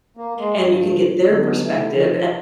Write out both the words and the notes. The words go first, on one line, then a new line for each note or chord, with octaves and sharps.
and you can get their perspective and
A#3
G#3
G2
D3 F#3 B3 C#4 D#4
C3 E3 A3 E4
F3